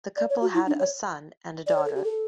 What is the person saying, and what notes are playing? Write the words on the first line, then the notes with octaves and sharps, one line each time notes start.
The couple had a son and a daughter.
D5
C#5
F#4
E4
D4
C#5
D5
C#5
A4
G4
A4